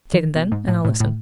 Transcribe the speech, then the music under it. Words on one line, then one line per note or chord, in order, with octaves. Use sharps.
"Say them, then, and I'll listen."
E3
B2
G#2
A2
A2
A2